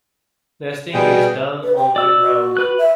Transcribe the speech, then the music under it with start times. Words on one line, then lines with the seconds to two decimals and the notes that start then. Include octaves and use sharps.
Nesting is done on the ground.
0.94 B2 G3 G#4 G5
1.64 B4
1.76 G5
1.96 F#4 D5 E6
2.19 F#4
2.57 B4 F#6
2.78 E5